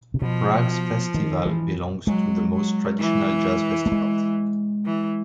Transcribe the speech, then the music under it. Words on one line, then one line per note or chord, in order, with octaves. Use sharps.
Prague's festival belongs to the most traditional jazz festivals.
C3
B2 F3
D#3
E3
F#3 G#3
F#3
E3
A3
G#3
E3